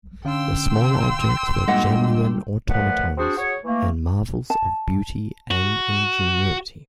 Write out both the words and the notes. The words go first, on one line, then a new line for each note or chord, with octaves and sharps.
The smaller objects were genuine automatons, and marvels of beauty and ingenuity.
D3 C#4 F5 G5 C6 E6
G2 A#2 G#3 D#5 F#5
A#2 F3 A3 B4 F#5
C4 D4 F#4 G#4 C5
F#4 G#4 C#5
E3 A3 A#3
A5
F#4